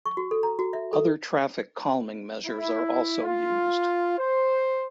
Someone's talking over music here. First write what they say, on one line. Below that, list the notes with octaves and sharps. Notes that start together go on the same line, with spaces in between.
Other traffic calming measures are also used.
C#6
F#4
A4
A#5
F#4
E5
A4
E4
F4
C5